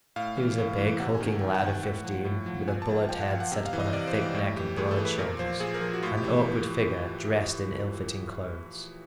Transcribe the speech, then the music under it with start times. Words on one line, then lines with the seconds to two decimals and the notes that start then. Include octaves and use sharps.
He was a big, hulking lad of fifteen, with a bullet head set upon a thick neck and broad shoulders--an awkward figure dressed in ill-fitting clothes.
0.16 A2 F5
0.37 E3
0.58 A2
0.78 E3
1.00 C3 F#5
1.14 G#5
1.20 D#3
1.28 G#5
1.41 C3 G5
1.54 F#5
1.63 D#3
1.69 G5
1.83 A2 F#5
2.04 F3
2.25 A2
2.46 F3
2.67 A#2 G#5
2.82 A5
2.89 F3
2.95 A5
3.09 A#2 G5
3.20 F#5
3.30 F3 F5
3.40 F#5
3.51 C3 G5
3.66 F5
3.73 E3
3.80 D#5
3.93 C3 D5
4.07 C5
4.14 E3
4.21 G4
4.35 A2
4.56 E3 G4
4.77 A2 G#4
4.91 A4
4.97 E3
5.05 B4
5.19 A#2 A#4
5.39 F3 C5
5.60 A#2 G#4
5.74 A#4
5.81 F3
5.94 F#4
6.03 A2 F4
6.17 G4
6.24 E3